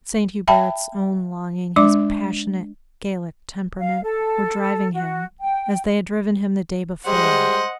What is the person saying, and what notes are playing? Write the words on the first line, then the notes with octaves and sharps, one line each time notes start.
Saint Hubert's own longing, his passionate, Gallic temperament, were driving him as they had driven him the day before.
E5 G5 A5 B5
G#3 D4 D5 D6
F5
A4
F#4
G5
G3 G#3 C5 D#5 F#5